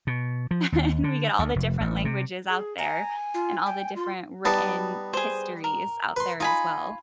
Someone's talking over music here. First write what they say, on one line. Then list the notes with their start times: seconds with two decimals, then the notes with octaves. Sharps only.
And we get all the different languages out there and all the different written histories out there, as well.
0.07 B2
0.51 F3
0.72 D#2
1.04 D3
1.39 D2
1.56 F1
1.80 A1
2.05 C3
2.49 G#4
2.78 G#5 A#5
3.34 F4
3.66 G5
3.96 F4 C6
4.45 G3 B3 D#4 A5
5.13 G#4 C5
5.64 A#4
6.16 B4 C6
6.40 D#4 F4 G#5 B5